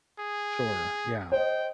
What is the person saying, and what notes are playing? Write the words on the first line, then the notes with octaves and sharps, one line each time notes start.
Sure. Yeah.
G#4
C5 D#5 G5